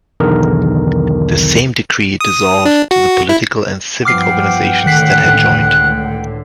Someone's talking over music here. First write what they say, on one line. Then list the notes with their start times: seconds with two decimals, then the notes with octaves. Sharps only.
The same Decree dissolved the political and civic organizations that had joined.
0.20 B1 E2 D3 D#3 A#4
2.21 D#6
2.65 D4
2.91 F#4
3.29 E4
4.05 G2 F3 B3 F#5 G5 D6 F6 C7
4.86 C#2 A2 D3 D#3 F#6 B6 C7